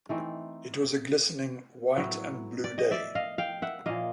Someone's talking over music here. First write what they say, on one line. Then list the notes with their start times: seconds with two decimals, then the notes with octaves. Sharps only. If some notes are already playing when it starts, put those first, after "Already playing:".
It was a glistening, white-and-blue day.
0.09 E3 A3 C4 D#4
1.97 A2 F#3 B3 E4
2.64 D5
2.78 D#5
2.91 D5 E5
3.15 D#5 F5
3.38 F5 G5
3.62 E5 F#5
3.86 A#2 F3 A#3 D#5 F5